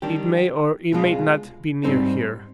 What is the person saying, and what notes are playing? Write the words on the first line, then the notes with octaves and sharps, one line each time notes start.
It may or it may not be near here.
D#3 G3 D4 G4
C2 B2 G#3 D4 F4
G#2 G3 C4 D#4